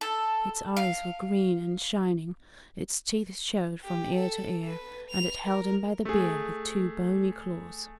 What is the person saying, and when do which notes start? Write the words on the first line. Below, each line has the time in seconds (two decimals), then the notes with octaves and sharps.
Its eyes were green and shining, its teeth showed from ear to ear, and it held him by the beard with two bony claws.
0.01 A4
0.77 F5
3.83 G4
4.15 A4
4.66 B4
5.11 F7
5.44 A#4
6.05 A3 G#4